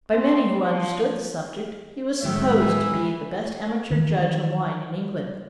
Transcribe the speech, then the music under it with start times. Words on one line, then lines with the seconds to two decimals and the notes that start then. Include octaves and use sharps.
By many who understood the subject he was supposed to be the best amateur judge of wine in England.
0.12 C4
0.61 F3
2.23 A2 D#3 F#3 G#3 E5
2.60 E3
3.90 D#3 E3